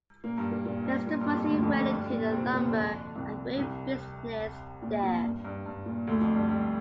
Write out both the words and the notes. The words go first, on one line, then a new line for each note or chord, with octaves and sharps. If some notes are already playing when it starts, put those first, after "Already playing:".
Mr Bussey went into the lumber and grain business there.
A#2 A#3
G2 G3
A#2 A#3
A#2 A#3
G2 G3
A#2 A#3
G2 G3
F2 F3
D2 D3
F2 F3
G3
F2 F3
G2 G3
A#2 A#3
C3 C4
A#2 A#3
D3
F2 F3
C2 C3
C2 C3
A#2
A#2
G2
G2
G2
A#2
D2 D3
F2 F3
G2 G3
G2 G3